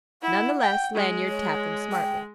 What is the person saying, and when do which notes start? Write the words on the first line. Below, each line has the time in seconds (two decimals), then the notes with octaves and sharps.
None the less, Lanyard tapped them smartly.
0.22 E4 F#5
0.61 G5
0.95 G#3
1.29 C#5
1.92 G5